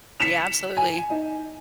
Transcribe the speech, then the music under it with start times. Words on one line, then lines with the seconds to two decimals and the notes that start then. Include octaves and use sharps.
Yeah, absolutely,
0.20 B6 C#7 E7 F7
0.77 G#5
1.10 D#4